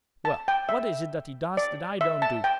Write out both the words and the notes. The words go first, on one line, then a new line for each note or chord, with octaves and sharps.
Well, what is it that he does that I don't do?
A5
G5
E5
D5
E5
A5
G5